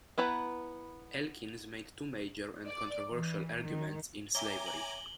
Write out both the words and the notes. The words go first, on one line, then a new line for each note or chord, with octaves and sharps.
Elkins made two major, and controversial, arguments in "Slavery".
B3 E4 B4 A#5
D5
E3
D#3
C#5 E5 G5 G#5 A#5 D6 G7
F#7